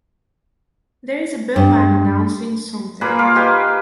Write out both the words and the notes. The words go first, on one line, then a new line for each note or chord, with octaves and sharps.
There is a bellman announcing something.
G2
A#2 A#3 G#4 B4
F4 F5 D6
D#4 G4 G#4 B4